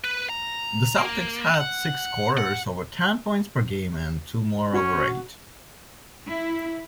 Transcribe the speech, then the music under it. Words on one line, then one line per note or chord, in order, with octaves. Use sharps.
The Celtics had six scorers over ten-points per game and two more over eight.
B4
A#5
A#3
F#5
F#5
C#4 F#4
E4